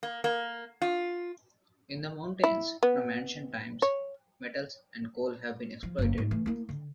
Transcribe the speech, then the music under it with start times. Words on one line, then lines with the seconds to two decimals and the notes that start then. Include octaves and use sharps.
In the mountains, from ancient times, metals and coal have been exploited.
0.03 A#3
0.24 A#3
0.82 F4
2.44 E4
2.83 B3
3.82 C#5
5.83 F3
5.98 F#1 A#3
6.18 G#2
6.31 E3 A3
6.46 A#3 E4
6.69 D3